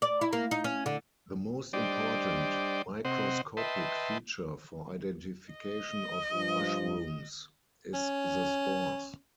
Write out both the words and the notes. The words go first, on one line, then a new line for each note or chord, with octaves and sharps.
The most important microscopic feature for identification of mushrooms is the spores.
D5
E4
A#3
D#4
C#4
D3
G3 D4 C5 D5 D#5 G5
C3 C4 C5 D#5 F#5
B4 D#5 E5 G5 A5 C6
D#5
G2 F3
C#4